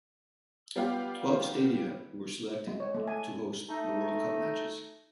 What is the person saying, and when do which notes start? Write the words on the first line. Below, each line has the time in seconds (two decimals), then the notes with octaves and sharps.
Twelve stadia were selected to host the World Cup matches.
0.76 G3 B3 F4 G4 F5
2.67 G#3
2.80 C#5
2.95 A3
3.08 G#5
3.69 A3 D#4